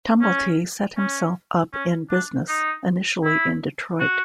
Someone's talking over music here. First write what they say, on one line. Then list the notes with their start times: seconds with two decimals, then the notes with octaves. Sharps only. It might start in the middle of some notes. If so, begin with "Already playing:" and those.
Tumblety set himself up in business, initially in Detroit.
0.22 C#4
0.98 C#4
1.73 C#4
2.11 D4
2.49 D#4
3.24 E4
4.00 F#4